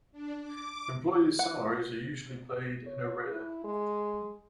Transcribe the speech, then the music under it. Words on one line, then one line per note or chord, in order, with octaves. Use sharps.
Employees' salaries are usually paid in arrear.
D4
D6
F#5
C#5
E4
G#3